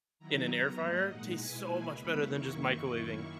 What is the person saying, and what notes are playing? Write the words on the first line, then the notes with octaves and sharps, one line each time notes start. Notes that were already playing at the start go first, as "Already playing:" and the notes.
in an air fryer, tastes so much better than just microwaving.
D#3 F#3 B3 E4 A#5
D#3 F#3 B3 A#5
G#2 F#3 A#3 D#5
A#2 G#3 D#4 F#5
B2 G#3 B3 E4 G#5
B2 A#3 E4
C#3 G#3 B3 B5
F#2 D#3 A#3 E4 C#6